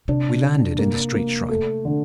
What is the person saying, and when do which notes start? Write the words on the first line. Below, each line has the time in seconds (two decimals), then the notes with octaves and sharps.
We landed in the street-shrine.
0.08 C3 D4
0.43 D4
0.79 A#3
1.14 A#3
1.49 A3
1.85 D3